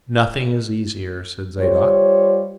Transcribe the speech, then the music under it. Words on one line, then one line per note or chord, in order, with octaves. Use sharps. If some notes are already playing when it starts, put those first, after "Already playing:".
"Nothing is easier," said Zadok.
G3 F4 C5 C#5